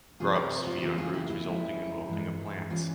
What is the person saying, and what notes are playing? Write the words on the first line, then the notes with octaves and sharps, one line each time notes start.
Grubs feed on roots resulting in wilting of plants.
C3 F3 C4 F4 G#4
G4 A#4
F4
E4
C#3 E3 A#3 F4
F4 G#4
E4 G4
E4
C#3 F3 G#3 C#4
G2 E3 G#3
E3 G3 C#4 F4